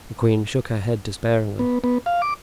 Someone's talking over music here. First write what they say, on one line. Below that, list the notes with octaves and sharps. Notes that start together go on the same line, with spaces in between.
The queen shook her head despairingly.
B3
B3
F5
D6